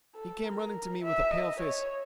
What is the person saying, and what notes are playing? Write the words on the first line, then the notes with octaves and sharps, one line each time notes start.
He came running to me with a pale face....
A4
A#4
E5
D#5
C#5